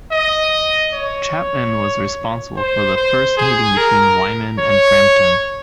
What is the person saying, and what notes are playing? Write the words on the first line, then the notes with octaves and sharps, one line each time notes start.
Chapman was responsible for the first meeting between Wyman and Frampton.
D#5
C#5
C5
C5
G#4
A#4
C#5